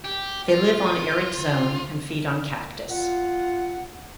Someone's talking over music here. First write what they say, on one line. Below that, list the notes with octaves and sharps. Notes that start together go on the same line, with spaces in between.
They live on arid zone and feed on cactus.
G4
F4
F4 F#5